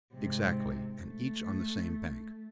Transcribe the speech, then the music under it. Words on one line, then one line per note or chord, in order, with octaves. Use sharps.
"Exactly, and each on the same bank."
G#2 C3
A3